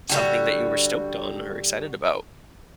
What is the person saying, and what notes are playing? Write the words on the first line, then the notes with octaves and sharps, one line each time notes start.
something that you were stoked on or excited about?
D3 G3 F#4